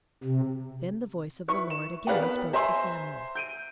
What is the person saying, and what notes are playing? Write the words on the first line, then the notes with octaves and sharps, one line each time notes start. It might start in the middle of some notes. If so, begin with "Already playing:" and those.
Then the voice of the Lord again spoke to Samuel.
C3
E4 B4 C#6
E7
G#4 A#4 B4 D5 F5 F#5
B3 B4
C5 E5 G#5 A#5 C6
G6 D7 D#7